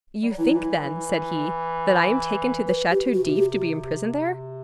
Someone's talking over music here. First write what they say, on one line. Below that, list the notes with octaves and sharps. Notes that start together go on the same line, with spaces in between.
"You think, then," said he, "that I am taken to the Chateau d'If to be imprisoned there?"
G3
F#3
E3 E4
F#3
E3
B4
G4
C3 F#4
G4